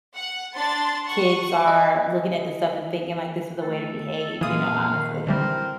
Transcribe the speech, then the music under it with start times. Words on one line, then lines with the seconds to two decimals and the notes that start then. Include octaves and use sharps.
kids are looking at this stuff and thinking, like, this is the way to behave, you know, honestly.
0.15 F#5
0.56 D4 C6 A6
1.06 F#5 C#6
1.68 D#5
3.61 A3 A4
4.41 A#2 E3 G#3 F5 D#6
4.91 D#3
5.27 D3 E3 G3 C4 A#4